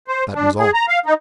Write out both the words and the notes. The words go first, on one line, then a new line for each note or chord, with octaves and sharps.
That was all.
C5
D4
G#4
A#5
F5
D#4